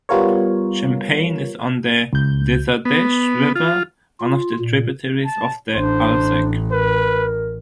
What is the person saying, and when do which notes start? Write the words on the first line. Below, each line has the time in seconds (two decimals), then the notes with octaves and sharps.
Champagne is on the Dezadeash River, one of the tributaries of the Alsek.
0.09 G3 B3 F4 A#4 C#5
2.13 C#2 G6
2.85 B3
3.55 F4
4.20 F4
4.59 A#2
5.25 A5
5.74 A1 D4 C5
6.71 A#4 B4